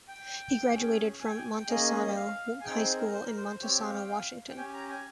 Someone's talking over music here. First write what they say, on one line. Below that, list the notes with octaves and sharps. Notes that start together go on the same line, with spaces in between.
He graduated from Montesano High School in Montesano, Washington.
G5
C#4 G#4
G#5
G5
G#5
G5
A#3 C#4 G#4 D#5
D#5
F5
G#5
C4 D#4 G#4 G5
C5
A#4
C5
A#4
C5
C5
C4 G4 C#5
F5
G5
F5
G5
C#4 G4 G#5
G#5
A#5
G#5